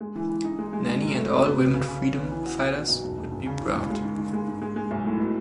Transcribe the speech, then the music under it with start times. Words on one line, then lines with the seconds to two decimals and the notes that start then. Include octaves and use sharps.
Nanny and all women freedom fighters would be proud.
0.01 G#3
0.15 E3
0.29 E3
0.44 D#4
0.59 G#3
0.73 G#3
0.87 G#2
1.02 F#3
1.16 A3
1.30 B2
1.44 B3
1.60 B3
1.74 C#3
1.88 C#3
2.02 C#4
2.17 B3
2.31 E3
2.45 F#4
2.60 B2
2.75 B2
2.88 B1
3.03 E1
3.18 E1
3.32 E1
3.46 C#3
3.61 E3
3.75 C#2
3.90 G#3
4.05 D#3
4.18 D#3
4.33 G#3
4.48 G#2
4.62 G#3
4.76 G#3
4.91 B1
5.05 A2
5.20 B2